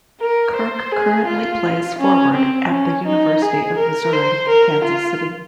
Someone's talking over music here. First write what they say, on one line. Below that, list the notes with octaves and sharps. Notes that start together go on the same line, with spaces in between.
Kirk currently plays forward at the University of Missouri-Kansas City.
A#4
C5
G#4
F4
C#4
C4
C#4
D#4
G#4
A#4
C5
A#4
F4